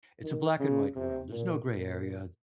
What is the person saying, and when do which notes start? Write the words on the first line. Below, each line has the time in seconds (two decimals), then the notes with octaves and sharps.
it's a black and white world, there's no gray area,
0.23 D#3
0.59 C#3
0.95 C3
1.31 A#2
1.67 A#2